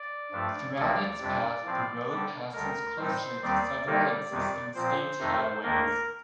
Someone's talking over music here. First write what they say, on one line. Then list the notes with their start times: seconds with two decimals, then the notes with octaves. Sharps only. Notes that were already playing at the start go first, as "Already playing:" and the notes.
Throughout its path, the road passes closely to several existing state highways.
Already playing: D5
0.32 G2 F3 A3 D4
0.76 D2 C3 F3 A#3 D4 D5
1.20 F2 C3 G3 D4
1.64 A2 F3 C4
2.10 D3 G3 D4
2.53 D2 D3 G3 A#4
2.97 A2 G3 C4 D#4 C5
3.42 D#2 D#3 G3 C4 D5
3.86 C3 D#3 G3 A#3 D#4 D5
4.31 F2 C3 D#3 G3
4.75 A#2 F3 C4 C5
5.19 F2 C3 D#3 A3 D#4
5.63 D#2 D#3 A#3 D4 A#4